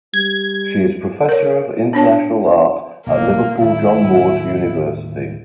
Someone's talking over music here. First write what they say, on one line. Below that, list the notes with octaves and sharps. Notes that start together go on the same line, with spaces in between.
She is Professor of International Art at Liverpool John Moores University.
G3 G#6
A#4 C#5
B3 D4 C#5 A5
B1 G2 D3 A#3
D#2 A2 E4